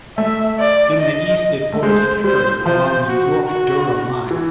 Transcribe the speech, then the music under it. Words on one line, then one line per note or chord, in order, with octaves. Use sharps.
In the East it borders Pickering along the York-Durham Line.
A3 E5
D5
D#5
A3
G#3 C5
G3 C5
F3 C5
F#4
F#4
E3